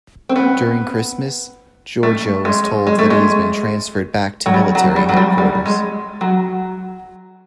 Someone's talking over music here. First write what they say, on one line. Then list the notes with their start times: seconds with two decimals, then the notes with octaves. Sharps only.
During Christmas, Giorgio is told that he has been transferred back to military headquarters.
0.29 C4
0.36 B3
2.03 A3
2.45 G#3
2.87 G#3
2.99 A3
3.10 G#3
4.46 F#3
4.54 G3
4.75 F#3
4.96 G3
5.09 F#3
5.17 G3
5.38 G3
5.66 G#3
6.21 F#3